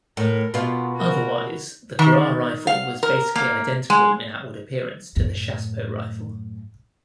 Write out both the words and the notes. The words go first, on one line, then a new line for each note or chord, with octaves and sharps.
Otherwise, the Gras rifle was basically identical in outward appearance to the Chassepot rifle.
A2 A#4
B2 B3 F4
F#4 A#4
D#3
F5
A#4
A#3
G#3
F#2 A2